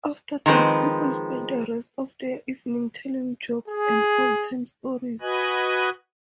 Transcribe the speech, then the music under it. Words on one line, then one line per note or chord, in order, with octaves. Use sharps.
After dark, people spent the rest of the evening telling jokes and old-time stories.
D#3 F3 G#3 C4 B4
G#4
F#4 B4 D#5 G#5 F#6